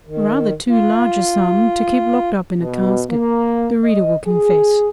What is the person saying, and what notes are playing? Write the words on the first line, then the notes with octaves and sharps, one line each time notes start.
Rather too large a sum to keep locked up in a casket, the reader will confess!
D#3
F4
B2
A#3
D#5
G#4